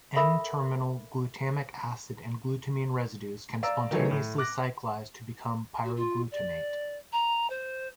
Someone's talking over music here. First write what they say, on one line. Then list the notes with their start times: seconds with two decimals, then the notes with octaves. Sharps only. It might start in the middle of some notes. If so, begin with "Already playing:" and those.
"N"-terminal glutamic acid and glutamine residues can spontaneously cyclize to become pyroglutamate.
0.16 A4 A#4 E5 B5
3.63 D5 F5 A#5 E6
3.91 D#3 E3 F#3 A3 C#5
4.11 A2
4.38 D6 F#6 A#6
5.84 F#4
5.97 F4
6.31 D5
7.12 A#5
7.50 C5